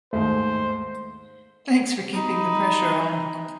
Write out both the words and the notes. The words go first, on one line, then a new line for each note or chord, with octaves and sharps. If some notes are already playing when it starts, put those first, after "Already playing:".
Thanks for keeping the pressure on!
D#2 G#2 A3 C5
D#4 B5